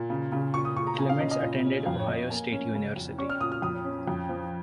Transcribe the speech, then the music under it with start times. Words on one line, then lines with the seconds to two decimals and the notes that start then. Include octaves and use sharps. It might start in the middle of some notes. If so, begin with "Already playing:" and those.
Clements attended Ohio State University.
Already playing: A#2
0.10 C#3
0.32 C#3
0.54 A#2 C#6
0.65 D#6
0.76 A#2 C#6
0.87 A#5
0.98 C#3 G#5
1.09 F5
1.20 C#4 D#5
1.31 D#5
1.42 A#2
1.65 C#4
1.86 F2 F5
2.00 C#5
2.08 F2 D#5
2.30 A#3 G#5
2.52 C#4
2.75 C#3
2.96 F2
3.18 C#4 C#6
3.30 F6
3.41 A#2 D#6
3.52 F6
3.62 F2 D#6
3.84 C#4
4.08 F2
4.29 F3